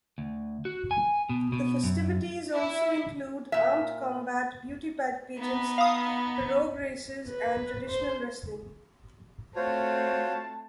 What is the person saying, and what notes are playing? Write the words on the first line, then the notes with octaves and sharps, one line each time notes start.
The festivities also include armed combat, beauty pageants, pirogue races, and traditional wrestling.
D2
F#4
G#5
B2
B2
F#2
E4
A#2 E5
B3 D#4
F5 D#6
B4
C5
A3 C4 F4 F#4 C5 C#5 A5